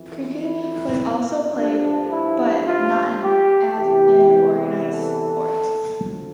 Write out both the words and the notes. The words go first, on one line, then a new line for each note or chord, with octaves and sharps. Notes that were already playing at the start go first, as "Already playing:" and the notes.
Cricket was also played but not as an organized sport.
Already playing: F2 E3
E4
G2 F3 D4
E4
F4
G4
E2 C3 E3 G4
A4
D2 D3 F3